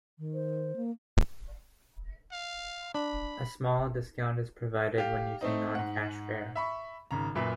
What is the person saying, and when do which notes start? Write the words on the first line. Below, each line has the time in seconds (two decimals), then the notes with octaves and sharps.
A small discount is provided when using non-cash fare.
0.19 D#3
0.34 C5
0.76 A#3
2.32 F5
2.95 D4 B5
4.98 G4 F5
5.41 A3 C4 D#4
5.75 G#2 F#5
6.56 E5 B5 C#6
7.11 G#1 C#3 A#5
7.35 F#2 A#2 B4 E5